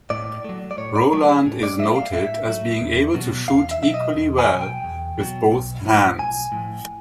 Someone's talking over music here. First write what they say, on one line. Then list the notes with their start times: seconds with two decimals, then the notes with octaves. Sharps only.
Roland is noted as being able to shoot equally well with both hands.
0.10 A2 D5
0.45 F#3 A3
0.71 D5
0.78 A2 C#5
0.96 D5
1.12 F#3 A3 A4
1.29 G#4
1.46 A2
1.63 D5
1.79 F#3 A3 E5
1.96 F5
2.13 A2 E5
2.46 F#3 A3
2.81 E2
3.14 B2 F#3
3.48 E2 F5
3.71 E5
3.82 B2 F#3 E5
3.94 D#5
4.15 E2
4.39 G#5
4.50 B2 F#3
4.61 G5
4.84 E2
5.18 B2 F#3
5.51 B1
5.85 A2 F3
6.19 B1 G#5
6.52 A2 F3